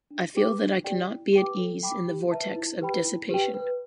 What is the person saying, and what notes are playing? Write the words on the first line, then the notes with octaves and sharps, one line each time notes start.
I feel that I cannot be at ease in the vortex of dissipation.
D4
G4 B4 G5 D6
D4
G4 D5 G5
E4
G4 B4 G5 D6
A4
G5 B5 D6
G4
B4 E5 A5
E4
G4 B4 G5 B5
E4
G4 B4 G5
B4